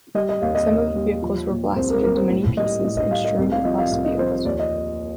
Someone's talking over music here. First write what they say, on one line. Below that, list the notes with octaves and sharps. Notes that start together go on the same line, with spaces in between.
Some of the vehicles were blasted into many pieces and strewn across fields.
G3 D#5
D#5
D#2 F5
D#5
D#2
G3
F3
A#2
C2 C5
A#4
A#2 A#4
C5
A2
G3 D#5
A2 D#5
D#5
G3 F5
D#5
C2 D#5
F5
F3 D#5
F5
C2 F5
D#5
F3 C5
C5
D#2 D5
D#5